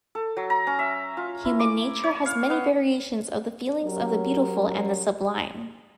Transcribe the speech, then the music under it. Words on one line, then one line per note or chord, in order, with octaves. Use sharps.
Human nature has many variations of the feelings of the beautiful and the sublime.
A4
F#3
A#5
C#4
E5
F4
E4
D6
C#5
F5
B3
F#3 C#4 G4 A#4